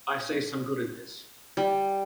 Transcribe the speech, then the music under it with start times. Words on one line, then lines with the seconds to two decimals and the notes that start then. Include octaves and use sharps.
I see some good in this.
1.57 G3